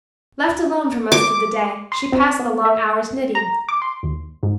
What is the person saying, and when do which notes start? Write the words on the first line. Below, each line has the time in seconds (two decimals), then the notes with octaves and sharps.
Left alone for most of the day, she passed the long hours knitting.
1.12 D6
1.92 C6
2.12 C4
2.39 B3
2.65 E5
3.35 A#5
3.69 D6
3.82 C6
4.03 D#2
4.43 G#2